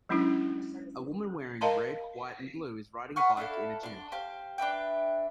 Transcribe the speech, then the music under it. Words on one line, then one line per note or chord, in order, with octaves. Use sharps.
A woman wearing red, white, and blue, is riding a bike in a gym.
F#3 G#3 C#4 D4 E4
A#4 D#5 F5 A5 A#5 C6
B3 F#5 C#6 F6
D4 E4 A4 F5
D4 C6
G4 C5 F5
D4 B4 E5 G5